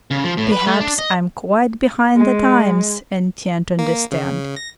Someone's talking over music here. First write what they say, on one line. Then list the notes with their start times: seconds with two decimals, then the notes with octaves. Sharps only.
Perhaps I am quite behind the times and can't understand.
0.11 C#3
0.24 F3
0.37 A2
0.52 B4
0.67 A3
0.80 D4
0.99 D#5
2.17 G#3
3.79 A#3
4.12 C#3
4.56 A#6